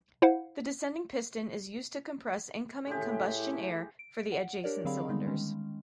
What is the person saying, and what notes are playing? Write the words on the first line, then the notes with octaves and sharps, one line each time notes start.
The descending piston is used to compress incoming combustion air for the adjacent cylinders.
E4 C5 F5 F#5
A2 C#3 G#3 G4 A4
A3 E4
D7
F#5
D4 G4 A#4 C#5 D5
D3 F#3 C4 G#4 F5 B5
D3 G3 G#3 B3 D#4
D#3 G#3 C#4